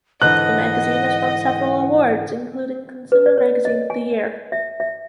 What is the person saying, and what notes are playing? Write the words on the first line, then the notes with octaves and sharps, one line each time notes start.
The magazine has won several awards, including Consumer Magazine of the Year.
G#2 D3 E3 D#5 F#5 F#6
B4
D5
C#5
D#5
G#5
E5
E5